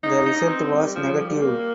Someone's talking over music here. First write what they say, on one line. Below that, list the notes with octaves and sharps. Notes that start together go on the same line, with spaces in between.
The result was negative.
D#4
D#4
C4
G3
F3
G3
A#3